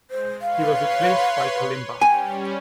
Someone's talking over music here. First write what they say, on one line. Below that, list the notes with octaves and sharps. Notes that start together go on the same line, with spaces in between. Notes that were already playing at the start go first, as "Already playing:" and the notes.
He was replaced by Kalimba.
G#3 C5
B4 C#5 F5 C6
G3 C#4 G5 G#5